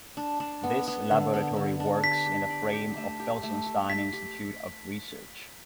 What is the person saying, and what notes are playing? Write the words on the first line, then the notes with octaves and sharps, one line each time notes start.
This laboratory works in the frame of Felsenstein Institute of Research.
D4
D4
B3
B3
D3
B3
D3
D4
G4 B6
G4
D5
G4
A3
G4
A3
G4
G4 B6
G4